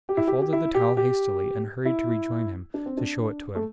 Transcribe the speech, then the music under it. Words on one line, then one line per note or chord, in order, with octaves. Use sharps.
I folded the towel hastily and hurried to rejoin him, to show it to him.
G4
E4
G4
G4
E4
G4
G4
E4
D4
C4
D4
A3